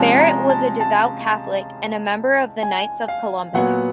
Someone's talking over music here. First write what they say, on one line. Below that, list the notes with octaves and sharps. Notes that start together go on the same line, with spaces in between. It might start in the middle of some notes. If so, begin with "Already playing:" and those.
Barrett was a devout Catholic, and a member of the Knights of Columbus.
Already playing: C3 F3 G#3 C#4 A5
A#5
A5
A5
G#5
F5
A#2 F#3 B3 F#5